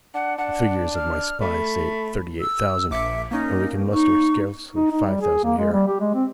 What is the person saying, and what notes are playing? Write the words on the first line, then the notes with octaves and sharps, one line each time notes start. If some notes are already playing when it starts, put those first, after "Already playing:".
The figures of my spies say thirty-eight thousand, and we can muster scarcely five thousand here.
D4 F#5
D4 F#5
F6
A3 B5
E6
A#1 E5 D6 C#7
A#3 C#4 D#4
D#4 C#6
D#4
D#4
G3
G#4
A#3
G#3
G3
G4
G#3
C4